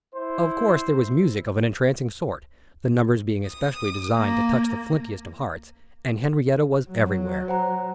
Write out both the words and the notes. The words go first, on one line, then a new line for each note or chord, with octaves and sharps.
Of course there was music of an entrancing sort, the numbers being especially designed to touch the flintiest of hearts, and Henriette was everywhere.
E4 C5
D#6
A#3
F#3
C5 F#5 A#5